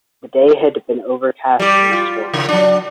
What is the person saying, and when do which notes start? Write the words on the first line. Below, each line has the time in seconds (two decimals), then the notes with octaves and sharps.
The day had been overcast and stormy.
1.60 G3 G4
1.93 F4
2.34 C#3
2.49 F#3 D4